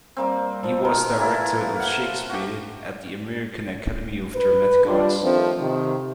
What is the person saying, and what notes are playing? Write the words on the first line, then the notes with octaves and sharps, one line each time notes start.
He was director of Shakespeare at the American Academy of Dramatic Arts.
G3 A#3 C4
F3
D#3 A#4
E3 A#3 E4 A4
F5 F#5
F#4 G4
B4
G3 D4 F4
D#3 F3 A3 C4
C3 D#3